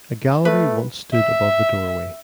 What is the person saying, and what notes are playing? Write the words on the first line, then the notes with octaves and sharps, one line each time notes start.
A gallery once stood above the doorway.
A3 B4
E5